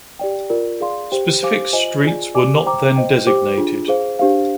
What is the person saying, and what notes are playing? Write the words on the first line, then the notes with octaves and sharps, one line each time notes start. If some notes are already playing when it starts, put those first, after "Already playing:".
Specific streets were not then designated.
G4 D5 G5
F4 A#4 D5
G#4 D5 F5 C6
G4 C5 G5
G4 C5 F5 G#5 D6
F4 C5 D#5 G#5
F4 G#4 D5 G#5
G4 D5 G#5 D6
C5 G5 A#5 D6
C5 D#5 G5
G4 C5 G5 D6
D4 F4 G#4
G#4 C5 F5
D4 G4 C5 F5